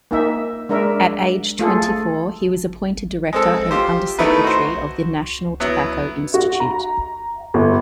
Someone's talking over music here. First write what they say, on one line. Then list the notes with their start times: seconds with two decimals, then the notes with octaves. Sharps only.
At age twenty-four, he was appointed director and undersecretary of the national Tobacco Institute.
0.11 A#3 D#4 E5
0.69 G#3 D4 A#4 E5
1.59 A3 F4 G#4 A4
3.33 G#3 C4 A4
3.71 F4 G4 C5
4.19 D#3 A3 B3 D#4 E4 B4
4.44 F#4 C5
5.60 F#3 B3 E4
6.34 F#4
6.60 A#5
7.54 G1